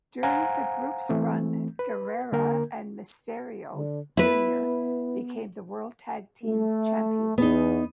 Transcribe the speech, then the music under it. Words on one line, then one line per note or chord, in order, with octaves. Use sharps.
During the group's run, Guerrera and Misterio, Junior became the World Tag Team Champions.
C5 F5 F#5 G#5 A#5
E3 A3 C4
B4
D3 A#3 A#4
D3
B3 E4 B4
A3
E2 B3 D#4